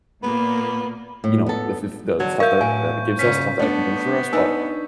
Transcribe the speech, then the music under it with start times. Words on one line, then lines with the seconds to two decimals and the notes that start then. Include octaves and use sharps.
you know if if the stuff that that it gives us, the stuff that it can do for us, but
0.23 A#2 A#3 B3
1.24 A2
1.46 B3 A4
2.20 D3 F#3
2.40 F#3 A#4 C#5 E5 F5 C#6 G6
2.61 A2 G#5
3.19 G#2 C#3 C#4 B6
3.59 A3 B3 D4
4.33 D4 D#4 B4 G#5 E6